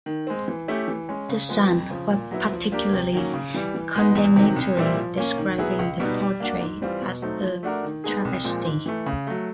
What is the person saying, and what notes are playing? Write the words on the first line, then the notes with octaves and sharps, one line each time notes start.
"The Sun" was particularly condemnatory, describing the portrait as "a travesty".
D#3
G#3 C4
E3
A3 C#4 E4 G4
E3
G#3 C#4
C#3
F3 G#3 B3
F2
C#3 F3
A#2
F#3 B3 E4
F3
A#3 D4 G4 A#4
C3
D#3 F#3 A#3 C#4
C#3
E3 G3
E3
G#3 B3 D#4
E2
C3 D#3 F#3
C2
A#2 G3 C4 E4
F3
A#3 C#4
D#3
F#3 B3 E4 G#4
C#2
B2 G3 B3 D#4
G3
A#3 D4 F#4
G#2
E3 G3 C4 F4
B2
F#3 A3 C4 D#4
F3
A3 D4 F#4 A#4
D#3
G#3 B3 D#4 G#4
C2
A#2 F3 G#3 C4
G#2
E3 A3
C#3
F#3 A3